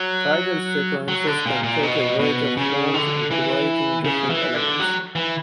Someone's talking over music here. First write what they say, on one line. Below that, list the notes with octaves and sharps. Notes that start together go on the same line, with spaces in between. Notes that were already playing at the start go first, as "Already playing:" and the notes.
Title sequences can take a variety of forms, incorporating different elements.
Already playing: F#3
F#3
D3
A#2
A#2
B2
B2
C#3
D3
E3
C#3
E3
D3
F#3
E3